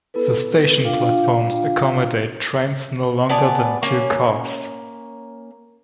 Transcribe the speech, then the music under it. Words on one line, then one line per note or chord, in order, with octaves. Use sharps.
The station platforms accommodate trains no longer than two cars.
B3 E4 A4 B4
D4 F4 F5 G5
B3 D5 G#5 A5
A#3 C#4